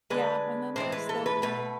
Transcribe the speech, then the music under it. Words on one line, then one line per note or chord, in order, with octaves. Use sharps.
Yeah, and then there's the whole
D3 G#3 B4
A2 E3 G#3 C5
B4
A4
B4
B2 A3 B4